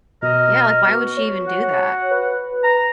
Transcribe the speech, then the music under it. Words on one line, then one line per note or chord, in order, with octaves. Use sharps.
Yeah, like, why would she even do that?
B2 A#4 D#5
B3 F#4
C#5
F#5
B4
A#5